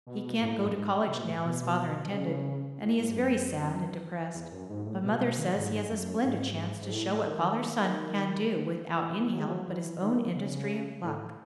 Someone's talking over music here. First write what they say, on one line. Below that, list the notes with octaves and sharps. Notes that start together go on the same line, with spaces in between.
He can't go to college now, as father intended, and he is very sad and depressed; but mother says he has a splendid chance to show what father's son can do without any help but his own industry and pluck.
B2
A2
F#2
G#2
F#2
C#3
B2
A2
B2
B2
C#3
A2
G#2
F#2
E2
F#2
G#2
A2
B2
B2
D#3
G#2
F#2
G#2
G#2
A2
D#3
E3
F#3
G#3
F#3
E3
D#3
C#3
A2